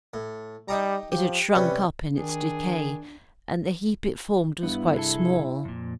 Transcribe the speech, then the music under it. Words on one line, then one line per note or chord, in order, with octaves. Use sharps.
It had shrunk up in its decay, and the heap it formed was quite small.
A2
G3 D#4 G4 A#5
F3 G4
C3 G3 C#4 B4
D#3 D4 G#4
G2 B3 E4
C3 G#4 A4
F2 A#2